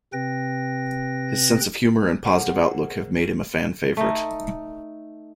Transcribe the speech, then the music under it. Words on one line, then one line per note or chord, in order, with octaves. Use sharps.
His sense of humor and positive outlook have made him a fan favorite.
C3 C4 B4 G5 A#6
G#4 A#4 C5 F#5
A3 D#4